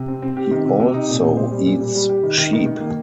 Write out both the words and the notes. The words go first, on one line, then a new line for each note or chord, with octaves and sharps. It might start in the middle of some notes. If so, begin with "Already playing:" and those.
He also eats sheep.
Already playing: C3
C4
C4
G4
D#3
C3
C3
D#4
A#2
A#2
C5
G3
A#2
G3
G3
G4
D#3
D#3
D#3
D#3
A#3